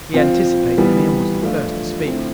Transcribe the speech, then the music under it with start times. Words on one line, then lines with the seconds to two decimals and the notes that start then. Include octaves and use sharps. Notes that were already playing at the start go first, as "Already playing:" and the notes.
He anticipated me, and was the first to speak.
0.13 F3 C4 F4
0.78 E3 G3 B3
1.41 F3 A3 D4 F4
2.06 D3 A3 C4 E4